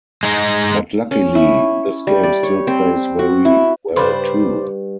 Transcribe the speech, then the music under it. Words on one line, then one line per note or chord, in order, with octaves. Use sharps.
But luckily this game still plays very well too.
G#3 D#4
C#4
E4
G3
D5
C#5
C4
F#4
E4
G2 C#3 G3 B4 C5 D5